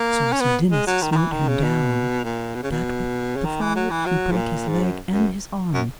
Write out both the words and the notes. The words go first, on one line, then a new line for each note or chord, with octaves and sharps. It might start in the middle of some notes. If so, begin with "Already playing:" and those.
So sir Dinas smote him down, that with the fall he brake his leg and his arm.
Already playing: A#3
C#4
B3
G#3
F#3
D#3
D#3
E3
D#3
C#3
B2
A#2
B2
C#3
B2
C#3
D#3
E3
F#3
E3
F#3
G#2
A#2
G#2
F#2
F#2
F#2